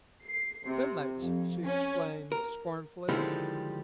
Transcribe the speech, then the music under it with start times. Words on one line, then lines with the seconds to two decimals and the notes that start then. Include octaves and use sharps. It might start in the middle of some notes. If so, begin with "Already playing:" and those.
"Stim'lates," she explained scornfully.
0.23 C7
0.66 C3
1.18 F2
1.66 C#4
2.32 A#4
3.09 D3 D#3 F3 G3 G#3 E4